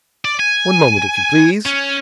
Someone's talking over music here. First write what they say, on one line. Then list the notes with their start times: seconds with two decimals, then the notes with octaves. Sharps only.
One moment, if you please!'
0.25 D5
0.40 G#5
1.66 C#4